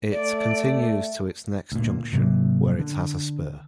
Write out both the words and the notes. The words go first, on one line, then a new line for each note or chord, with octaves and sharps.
It continues to its next junction, where it has a spur.
A3 D5
D2 A#2
G#2 C3 F#3 A#3
D3